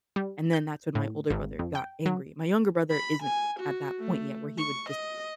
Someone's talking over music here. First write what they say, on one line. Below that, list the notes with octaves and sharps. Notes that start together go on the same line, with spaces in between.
And then that's when my older brother got angry. My younger brother isn't at that point yet where he would just
G3
G6
A2
G#1
F2
G5
F#3
B5
G#5
F#4
A3
C#6
D#5